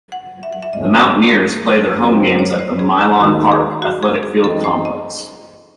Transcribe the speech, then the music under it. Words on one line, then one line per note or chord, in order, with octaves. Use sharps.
The Mountaineers play their home games at the Mylan Park Athletic Field Complex.
F#5
E5
F#5
E5
G#1 G#2 E3 A3 C#4 D#5
G#4
G#4
G#4
G#4
F#1 F#2 D#3 F#3 C4 G#4
C#5
C5
G#4
D#2 D#3 A3 D#4 F#4
G#4
F#4
G#4
G#4
F#2 E3 A3 C4 D#4 A4
C5
D#5